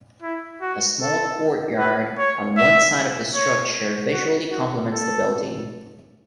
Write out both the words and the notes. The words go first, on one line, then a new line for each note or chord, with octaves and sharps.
A small courtyard on one side of the structure visually complements the building.
E4
F#4
A4
B4
C#5
E5
C#5
F#4
F#4
A4